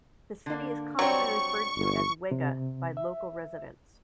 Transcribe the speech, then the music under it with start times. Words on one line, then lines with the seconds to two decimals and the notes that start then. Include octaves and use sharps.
The city is commonly referred to as "Wega" by local residents.
0.46 D3 A#3
0.99 F#3 G3 C4 D4 C#5 C#6
1.76 G1
2.31 C3
2.97 E5